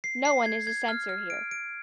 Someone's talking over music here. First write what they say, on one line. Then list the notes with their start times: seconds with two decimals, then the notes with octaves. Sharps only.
No one is a censor here.
0.04 C7
0.25 C7
0.46 G#6
0.67 G#6
0.88 F6
1.09 F6
1.30 D7
1.51 D7